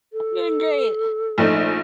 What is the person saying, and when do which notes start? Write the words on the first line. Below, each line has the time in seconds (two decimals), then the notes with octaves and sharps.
Doing great.
0.13 A4
1.38 A#1 A3 D#4